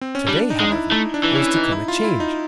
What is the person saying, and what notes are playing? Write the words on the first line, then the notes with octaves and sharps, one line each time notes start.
To-day, however, there was to come a change.
C4
C#4
G3 D4
D#4
G#3
E4
A3 D#4
D4
E3
C#4
D#4
E4
F4
E4
D#4